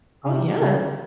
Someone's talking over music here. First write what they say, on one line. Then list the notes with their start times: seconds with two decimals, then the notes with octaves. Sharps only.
Oh, yeah.
0.24 C#3
0.33 C3
0.61 C3
0.66 C#3